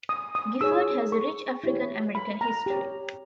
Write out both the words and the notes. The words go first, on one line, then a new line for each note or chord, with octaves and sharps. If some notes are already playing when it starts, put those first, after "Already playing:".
Gifford has a rich African American history.
D#6
D#6
D#4 G#4 C#5 E6
C#6
E4 G4 C#5
B5
A#5
G4 C#5